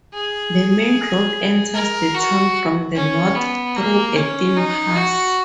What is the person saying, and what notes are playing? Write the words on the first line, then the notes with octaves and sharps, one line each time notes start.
The main road enters the town from the north through a thin pass.
G#4
A#4
F#4
C#4
B3
A#3
C#4
D#4
F#4